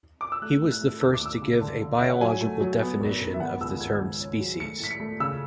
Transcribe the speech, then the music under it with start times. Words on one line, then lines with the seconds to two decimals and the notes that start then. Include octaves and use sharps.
He was the first to give a biological definition of the term "species".
0.21 D6
0.32 E6
0.42 A3 F#6
0.62 A2
0.72 F#6
0.81 A3
1.01 D2 E6
1.14 D6
1.22 D2 E6
1.42 C#3
1.61 D3
1.81 D3
1.99 C#4 E5
2.10 F#5
2.21 F#3 G#5
2.41 A3
2.60 F#3
2.81 B3
3.01 G#1
3.21 G#1
3.34 E5
3.40 B3 F#5
3.61 C#2 E6
3.81 C#2 G#6
4.00 G#2
4.20 C#4
4.40 F#3
4.60 A3 C#7
4.80 A2 B6
4.91 C#7
5.00 A3
5.20 C#3 E6